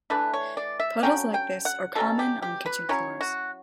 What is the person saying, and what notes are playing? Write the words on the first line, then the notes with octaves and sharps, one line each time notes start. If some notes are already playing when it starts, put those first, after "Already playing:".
Puddles like this are common on kitchen floors.
E3 A3 D4 B4
C#5
D5
E5
D3 F#3 C#4 G5
G5
F#5
B2 F#3 C#4 A4
G4
G4
B4
F#3 C#4 E4 C#5
F#4